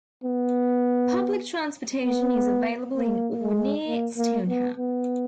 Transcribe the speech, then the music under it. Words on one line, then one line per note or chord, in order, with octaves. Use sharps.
Public transportation is available in or near Stoneham.
B3
B3
A#3
G#3
A#3
A#3
B3
B3